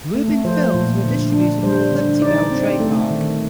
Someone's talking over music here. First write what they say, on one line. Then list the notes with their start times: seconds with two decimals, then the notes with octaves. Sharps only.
Lubin films were distributed with a Liberty Bell trademark.
0.15 A3
0.45 F3 C5
0.74 A#2
1.04 D3
1.32 D4
1.63 G3 C5
1.92 D3
2.21 D#4 D5
2.51 C4
2.80 A3
3.11 D#3